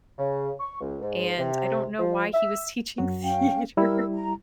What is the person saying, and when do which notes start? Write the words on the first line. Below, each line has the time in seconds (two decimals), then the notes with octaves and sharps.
and I don't know why he was teaching theater.
0.18 C#3
0.60 C#6
0.81 C#2
1.01 G#2
1.38 C3
1.98 F3
2.34 E5
2.98 F#2 F#3 F#4
3.22 C#4 F5 G5
3.77 G3 E4 A#4 E6
4.15 A#5